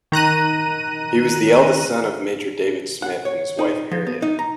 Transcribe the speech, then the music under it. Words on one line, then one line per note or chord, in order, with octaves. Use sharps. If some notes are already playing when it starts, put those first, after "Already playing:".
He was the eldest son of Major David Smith and his wife Harriet.
D#3 A#5 F#6 D#7
F#5
C#5
D#4
F3
B3
D#4
A#5